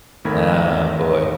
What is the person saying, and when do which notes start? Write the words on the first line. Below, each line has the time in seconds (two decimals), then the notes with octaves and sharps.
Oh boy.
0.25 G#1 D#2 A3 A#4 B5 G#6